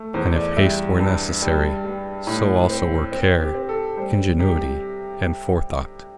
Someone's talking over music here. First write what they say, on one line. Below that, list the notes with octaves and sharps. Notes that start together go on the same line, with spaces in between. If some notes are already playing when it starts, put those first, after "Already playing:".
And if haste were necessary, so also were care, ingenuity, and forethought.
Already playing: A3
E2 C5
D5
G3 E5
G2
G3
G3
A2
C4
C4
G4
C4
A4
G3 C5
C3 G4